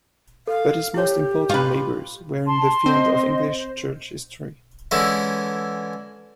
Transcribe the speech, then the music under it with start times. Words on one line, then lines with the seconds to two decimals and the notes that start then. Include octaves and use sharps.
But his most important labours were in the field of English church history.
0.47 A4 F5
0.94 E4 G4 C#5
1.50 F4 B4
2.47 A5 C6
2.86 C4 C5 D#5
4.91 D3 E3 G#3 C#4 E4